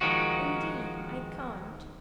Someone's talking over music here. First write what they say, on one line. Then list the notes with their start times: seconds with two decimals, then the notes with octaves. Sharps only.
'Indeed, I can't.
0.01 D#3 F3 G#3 F#4